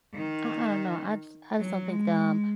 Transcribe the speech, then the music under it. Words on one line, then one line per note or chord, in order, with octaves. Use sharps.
I I don't know, I just I just don't think that, um,
D#3
F#3
G#3